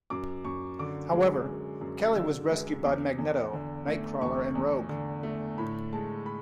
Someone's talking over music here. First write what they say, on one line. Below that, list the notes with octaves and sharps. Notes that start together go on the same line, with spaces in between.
However, Kelly was rescued by Magneto, Nightcrawler and Rogue.
F#2 D6
F#2 C#6
D3 D6
G#3
F#2
F#2
D3 E6
G#3
E2 D6
E2
D3
A3
E2 C#6
E2
D3
A3
A2 B5
G#3 A5
B5